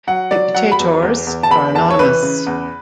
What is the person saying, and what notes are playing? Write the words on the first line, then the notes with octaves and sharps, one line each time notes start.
The "ktetor"s are anonymous.
F#3 F#5
F#3 D5
F#3 F#5
B5
E2
E2
E2
A5
E2 B5
E2 A5
C#5
E3 B4
C#3
E2